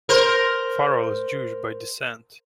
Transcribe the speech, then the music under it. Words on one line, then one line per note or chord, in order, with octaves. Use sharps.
Farrell is Jewish by descent.
A#4 C5